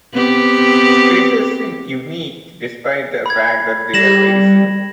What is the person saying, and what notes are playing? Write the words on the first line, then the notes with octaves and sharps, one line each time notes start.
Faces seem unique despite the fact that they are very similar.
B3 C4 G4
B5 G#6
G3 A#6 E7 F#7